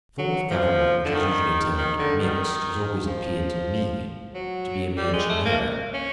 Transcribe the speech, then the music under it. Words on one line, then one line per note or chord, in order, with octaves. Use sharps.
The form of government which is usually termed mixed has always appeared to me to be a mere chimera.
F#3
F3
D3
D#3
D#3
D3
D#3
F3
F#3
G3
G#3
A3
A#3
C#4